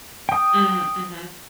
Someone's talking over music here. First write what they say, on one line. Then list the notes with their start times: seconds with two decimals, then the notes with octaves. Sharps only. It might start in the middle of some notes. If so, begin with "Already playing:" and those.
Mm, mhm.
0.29 G5 D#6